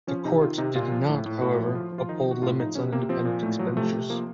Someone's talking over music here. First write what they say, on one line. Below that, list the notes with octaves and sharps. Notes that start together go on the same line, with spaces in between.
The Court did not, however, uphold limits on independent expenditures.
F3 C#4
C3 D#4
D#3 F4
C3 D#4
A#2 F4
F3
A2
A2
A2 F#4
F3
F3 F4
F3
F4
D#3 D#4
C3
F#4
A2 F4
F3 D#4
C3 C#4
C3 A#3
F3 C4
A#2
A2 A3
F3 F#3
C3 A3
C3
F3 A#3